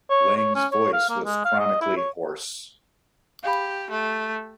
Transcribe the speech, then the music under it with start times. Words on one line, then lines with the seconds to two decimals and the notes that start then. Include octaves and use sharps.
Lang's voice was chronically hoarse.
0.10 C#5
0.37 C#5
0.55 C#4
0.72 C#5
0.93 F5
1.10 A#3
1.25 G#3
1.45 F5
1.60 D#5
1.81 E4
1.97 C#5
3.43 G4 F5 B5
3.90 A3